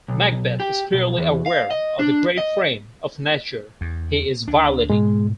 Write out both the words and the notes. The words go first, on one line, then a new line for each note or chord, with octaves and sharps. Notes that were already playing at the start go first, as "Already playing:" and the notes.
Macbeth is clearly aware of the great frame of Nature he is violating.
B1
G4
B1
E2
F5
D#5
D4
D#5
E2
D2 D4
G#2 B2 G#3